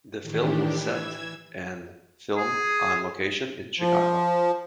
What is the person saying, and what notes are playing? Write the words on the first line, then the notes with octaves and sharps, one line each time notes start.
The film was set and filmed on location in Chicago.
A2 D#3 E3 D4 G4
E3 E6 G#6
G#4
F3